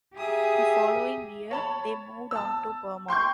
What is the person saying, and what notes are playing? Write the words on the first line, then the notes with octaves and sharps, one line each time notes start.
The following year, they moved on to Burma.
G4 G#4 E5 A#5 D#6
C#5 A5 B5
A5 E6
G5 C6 C#6 G6